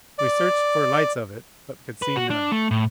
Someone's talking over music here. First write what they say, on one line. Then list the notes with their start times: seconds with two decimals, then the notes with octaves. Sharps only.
We searched for lights of it, but could see none.
0.19 D5
2.02 B4
2.16 F#4
2.30 D4
2.52 A3
2.71 A2